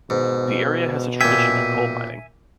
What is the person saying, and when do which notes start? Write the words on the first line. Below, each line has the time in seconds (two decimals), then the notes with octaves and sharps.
The area has a tradition of coal mining.
0.10 G#2 B2
1.21 A#2 E5 G5 G#5